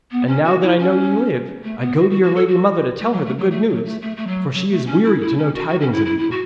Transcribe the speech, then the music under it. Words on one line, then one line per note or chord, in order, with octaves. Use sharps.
And now that I know ye live, I go to your lady mother to tell her the good news, for she is weary to know tidings of you.'
B3
C#4
F#4
E4
C#4
A3
B3
F#4
F#4
F#4
A4
F#4
A3
F#3
A3
F#3
A3
F#3
A3
A3
A3
F#3
F#3
A3
C#4
E4
E4
C#4
F#4
F#4
C#4
E4
E4
E4
F#4